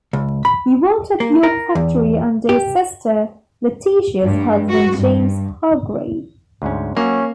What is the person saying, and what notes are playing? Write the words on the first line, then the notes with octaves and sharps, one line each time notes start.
He worked at York Factory under his sister Letitia's husband James Hargrave.
C#2
B5
A#3
A#4
E2
G4
G2
F#4
G2
D2 G#2 C#4
F#3 A#3 C#4